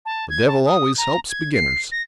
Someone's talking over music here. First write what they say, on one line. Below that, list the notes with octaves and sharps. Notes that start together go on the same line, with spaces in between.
The devil always helps beginners.
A5
G#6
A5
D#6
A#5
G#6
C7
A#6